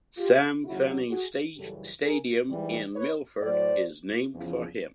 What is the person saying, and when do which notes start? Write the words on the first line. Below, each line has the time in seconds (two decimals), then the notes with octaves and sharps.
Sam Fanning stadium in Milford is named for him.
0.18 F4 G4
0.64 D#2 C#3 F#3 E4 F#4
1.11 F#4 G#4
1.57 F#2 C#3 E3 G3 G4 A4
2.04 G#4 A#4
2.50 G#2 E3 G3
2.96 B4 C#5
3.42 A2 F#3 C5 D5
4.34 E2 C#3 F3